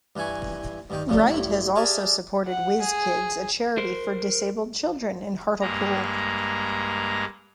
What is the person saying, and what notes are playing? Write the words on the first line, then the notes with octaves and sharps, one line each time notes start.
Wright has also supported Whizz-Kidz, a charity for disabled children in Hartlepool.
G2 E3 E4 G#5 C#6
G2 D#3 G5
F2 A2 C#3 G3
A1 G2 E4
G4 G#4 A#4 D5 E5 A5
F#5
G#4
A#4 C5
G2 G#3 A#3 A#5